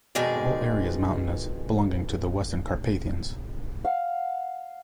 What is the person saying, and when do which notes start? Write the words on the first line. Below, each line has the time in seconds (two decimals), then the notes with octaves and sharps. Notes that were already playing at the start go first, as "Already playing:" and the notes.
The whole area is mountainous, belonging to the Western Carpathians.
0.15 F2 B2 D#3 G#3 G#4 D5
3.85 F5 F#5